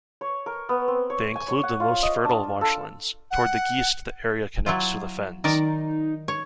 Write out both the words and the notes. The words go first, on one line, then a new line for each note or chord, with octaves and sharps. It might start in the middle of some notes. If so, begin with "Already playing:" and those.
They include the most fertile marshlands; towards the geest the area connects to fens.
C#5
A#4
B3
C4
C#5
G#5
C#5
F#5
F4
D#5
D4
A4
F#5
F#3 E4 F4
D#3 D#4 A#4 D5
C#5